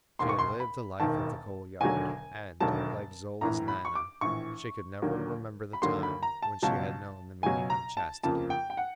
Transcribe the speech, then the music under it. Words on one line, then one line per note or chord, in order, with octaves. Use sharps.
She had lived the life of the Coal Yard, and, like Zola's Nana, she could never remember the time when she had known the meaning of chastity.
E1 D#2 D#3 C6
C#6
C6
B5
E1 D#2 D#3 A5
E1 D#2 D3 F#3 G#5
E1 D#2 D3 F#3 A5
A#1 A2 E3 A#5
B5
C#6
D6
A#1 A2 E3 C#6
D#2 D3 F#3 A#3
B5
D#2 D3 F#3 A#3 C6
B5
A#5
A5
C#2 B2 F#3 A5
C#2 B2 F#3 G#5
A#5
A5
F2 C#3 F3 A#3 A5
G5
G5
F#5